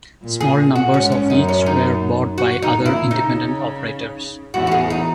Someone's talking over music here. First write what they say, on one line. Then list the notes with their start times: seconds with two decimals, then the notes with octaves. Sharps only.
Small numbers of each were bought by other independent operators.
0.22 A#2
0.41 G#4
0.76 F#4
0.94 G#2 C#4
1.12 C#4
1.30 F#2 D#4
1.49 C#4
1.66 D#4
2.38 F#4
2.62 D#4
2.74 A#2
2.86 E4
3.10 C#3 D#4
4.54 E2 E3 F#4
4.67 F#4
4.72 G#4
4.90 D#4